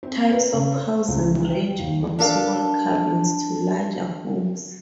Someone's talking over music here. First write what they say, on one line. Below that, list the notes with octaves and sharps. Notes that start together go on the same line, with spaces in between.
Types of housing range from small cabins to larger homes.
C4
B4
C#3
C5
C#2
G5
D#2
D4 G4 A4 A#4 F5 A5